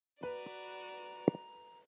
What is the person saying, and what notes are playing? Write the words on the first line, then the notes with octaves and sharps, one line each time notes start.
He expects them to carry messages for him to their kindred.
F#4 B4 D5 A#5